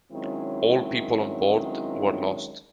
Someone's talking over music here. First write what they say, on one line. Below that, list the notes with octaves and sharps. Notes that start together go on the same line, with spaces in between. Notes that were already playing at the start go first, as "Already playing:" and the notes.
All people on board were lost.
D#3 F#3 G#3 C4 C#4 E4